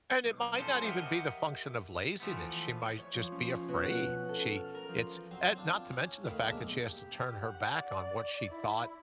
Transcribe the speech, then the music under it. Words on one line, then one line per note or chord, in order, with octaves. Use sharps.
And it might not even be the function of laziness, she might just be afraid. She it's uh, not to mention the fact that she has to turn her back on what she thought
B1
F#2 F3 C#4 A4 C5
G4 A#4 D#5 E5 F#5 G5
E3 F3 A3 B3
C#5
F3
C#4
C#5
B2
F#5
C#4
A4
F6
A#4
F3
F#3 C4 C6
C4 D4 F4
C#4
D2 D#3 F5 B5
B1 G#3 A#3 D4 E5
G4
F#5
D5
E4